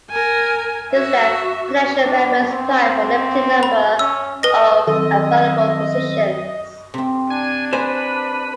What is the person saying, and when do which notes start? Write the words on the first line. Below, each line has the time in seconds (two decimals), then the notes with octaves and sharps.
Instead, potential members apply for the limited number of available positions.
0.10 A#4 G#5
0.92 F#4 E5
2.05 D4
2.52 C4
3.63 B5
3.99 C#4 E6
4.43 B4 D#5 A#6
4.87 D#3 F#3 C4 A4 D#5 E6
6.94 C3 C4
7.30 D4 G#5
7.73 B4 C5 G#5